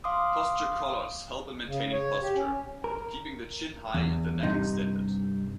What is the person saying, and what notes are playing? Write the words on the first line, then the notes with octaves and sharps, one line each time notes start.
Posture collars help in maintaining posture, keeping the chin high and the neck extended.
F5 C6 D6 D#6
C#3
C#5
G4
C#4
A#4
E2
G2 C3 D#4